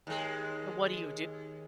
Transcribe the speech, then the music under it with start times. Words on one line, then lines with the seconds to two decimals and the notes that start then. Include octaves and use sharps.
what do you,
0.07 D#2 G#3